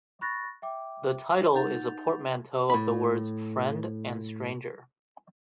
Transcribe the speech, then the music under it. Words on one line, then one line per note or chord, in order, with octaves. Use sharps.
The title is a portmanteau of the words "friend" and "stranger".
B5 C#6 F#6 A6 A#6
E5 G5 D6
D#4 F#5 G6 A6 F7
A2 B5